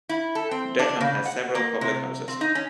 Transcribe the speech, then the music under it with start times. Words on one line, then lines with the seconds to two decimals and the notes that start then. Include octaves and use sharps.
Deckham has several public houses.
0.09 E4
0.35 A4
0.51 C4
0.79 D4
1.01 C#3
1.26 F#5
1.55 A#3
1.81 C3
2.28 C4
2.41 D#4
2.55 C#4